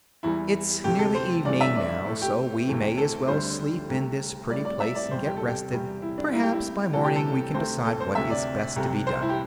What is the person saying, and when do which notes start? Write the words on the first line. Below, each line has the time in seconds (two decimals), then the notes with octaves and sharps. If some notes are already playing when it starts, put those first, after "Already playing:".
"It's nearly evening, now; so we may as well sleep in this pretty place and get rested; perhaps by morning we can decide what is best to be done."
0.23 E2 E3 G3 E4
0.84 D2 C3 A3 G4
0.99 A4
1.15 C5
1.45 G2 E3 A3 D5
1.61 E5
1.76 D5
2.06 A2 A3
2.22 G4
2.67 D2 C3 E3 A3
2.98 A4
3.28 D2 D3 G3 C5
3.89 C2 C3 A3
4.50 A2 G3 D5
4.65 D5
4.80 E5
4.95 D5
5.11 E2 C3 G3 C5
5.26 G4
5.37 A4
5.48 G4
5.72 E2 C3 G3
6.02 E4
6.18 D4
6.33 A2 E4
6.37 G3
6.43 G4
6.53 E4
6.93 C2 C3 E3 A3 A4
7.04 G4
7.16 A4
7.54 D2 C3 A3 C5
7.85 A4
8.00 C5
8.15 D2 C3 A3 E5
8.30 D5
8.76 C2 C3 A3
9.07 C5
9.22 E4
9.29 G4